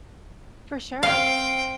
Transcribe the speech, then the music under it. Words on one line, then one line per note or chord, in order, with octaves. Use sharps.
For sure.
C4 F5 G5